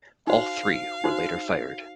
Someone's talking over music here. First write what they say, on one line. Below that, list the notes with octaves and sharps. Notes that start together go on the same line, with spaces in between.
All three were later fired.
D#4 F#4 C5 F5
D#4 F#4 C5